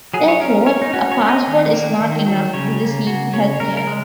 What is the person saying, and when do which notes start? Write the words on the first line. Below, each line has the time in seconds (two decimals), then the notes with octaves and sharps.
Therefore, a passport is not enough to receive health care.
0.14 F#3 G#4
0.28 C#5
0.40 C#4 A#4
0.66 C#4 C#5
0.82 D#4
0.93 C#4 F#4
1.12 C#5
1.20 C#4
1.28 D#5
1.47 D#3
1.73 A#3
2.00 D#3
2.26 F#3
2.54 C#3 C#5
2.81 A#3
3.06 C#3 F#4
3.33 C#3 C#5
3.60 C#3 A#4
3.77 A#4
3.87 G#3